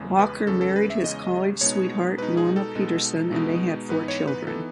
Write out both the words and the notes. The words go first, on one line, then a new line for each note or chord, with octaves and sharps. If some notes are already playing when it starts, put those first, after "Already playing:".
Walker married his college sweetheart, Norma Peterson, and they had four children.
Already playing: E2 C#3 G#3 C#4
B4
E2 C#3 G#3 C#4 A4
A4
B4
E5
E2 C#3 G#3 C#4 D#5
B2 G#3 B3 D#4 C#5
B2 G#3 B3 D#4 B4
G#4
A4
B2 G#3 B3 D#4
B2 G#3 B3 D#4
G#2 E3 B3 D#4 B4
C#5
B4
E3 B3 D#4 A4